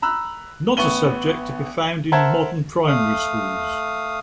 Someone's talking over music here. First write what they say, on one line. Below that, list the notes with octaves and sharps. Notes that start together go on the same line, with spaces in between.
Not a subject to be found in modern Primary Schools.
A#5 B5 E6 F#6
A1 B3 C#6 D#7 F#7 G7
A#4 C5 E5 F#5 A5 G#6
A3 F5 D#6